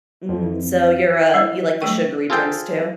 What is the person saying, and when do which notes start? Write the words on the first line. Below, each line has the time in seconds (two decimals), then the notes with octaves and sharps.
Mm, so you're, uh, you like the sugary drinks too?
0.29 F2
1.34 G3 E4 C#5
1.81 F#3 G3 A3 G#4 G5 C#6
2.30 F4 G#4 A4 C5 F5 G5